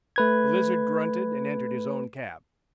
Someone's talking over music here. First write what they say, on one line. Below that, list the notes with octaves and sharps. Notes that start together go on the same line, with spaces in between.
The Lizard grunted and entered his own cab.
A3 B4 G#6